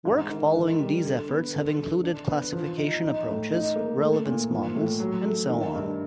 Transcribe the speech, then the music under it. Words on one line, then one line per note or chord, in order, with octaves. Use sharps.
Work following these efforts have included classification approaches, relevance models and so on.
G#2
D#3
D#3
G3
D3
B3
D3
D3
D4
B3
F3
D#4
D#4
A2
D#4
A#3
A3
A#2
F3
A2
F#3
A3
D#3
G2